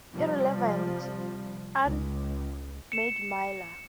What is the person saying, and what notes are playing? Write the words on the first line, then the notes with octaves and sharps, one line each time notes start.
Irrelevant, Ahmad Miller.
C3 F3 G3
C#2
C#7 E7